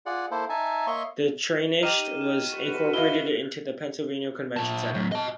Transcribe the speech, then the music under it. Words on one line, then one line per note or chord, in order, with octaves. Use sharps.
The trainshed was incorporated into the Pennsylvania Convention Center.
F4 G#4 D5 F#5
A#3 E4 A4 C5
D#4 E5 G#5 A5
A#3 C#5 D#5 E5 C6 C#6
D#4 G4 F6 D#7 E7
E7
F#4 B4
E4 D#5 F5 G7
A#2 A5
A2 F#3
D#5 A5